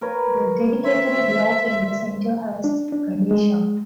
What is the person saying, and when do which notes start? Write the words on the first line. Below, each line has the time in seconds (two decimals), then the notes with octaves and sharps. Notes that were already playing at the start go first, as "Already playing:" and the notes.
The dedicatory block in the centre has Ganesha.
0.01 A#4 B4 C#5
0.83 C5 C#5 E5
2.64 D4
2.93 D4
3.31 G#3